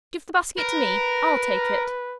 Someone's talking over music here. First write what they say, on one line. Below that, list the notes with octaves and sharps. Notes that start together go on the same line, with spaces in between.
'Give the basket to me,--I'll take it.'
A#4 B4